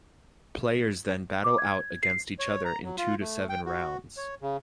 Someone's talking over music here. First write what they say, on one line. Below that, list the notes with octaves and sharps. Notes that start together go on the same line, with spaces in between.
Players then battle out against each other in two to seven rounds.
D6
G#6
C7
C#5
A#5
F#3
F4
A3
G5
F#4
C#5
C#3